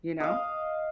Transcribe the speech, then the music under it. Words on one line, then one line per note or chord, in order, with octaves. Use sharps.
you know?
D#5 F5